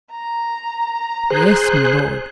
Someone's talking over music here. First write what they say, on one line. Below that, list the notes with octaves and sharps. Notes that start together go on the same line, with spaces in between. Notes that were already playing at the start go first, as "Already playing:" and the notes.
"Yes, my Lord!"
A#5
G#4 C5 F#6